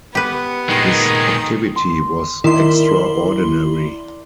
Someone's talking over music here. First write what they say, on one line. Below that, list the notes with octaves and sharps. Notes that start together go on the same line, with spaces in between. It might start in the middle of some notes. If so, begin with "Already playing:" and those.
His activity was extraordinary.
B3 G4 B4
A#2 D#3 G#3
C6
D#3 E4 A#4 D5 C6